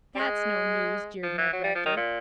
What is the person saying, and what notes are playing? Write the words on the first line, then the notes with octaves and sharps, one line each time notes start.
"That's no news," jeered Ned Rector.
G3
G#3
F3
E3
F#3
G3
F3
D#3
A#2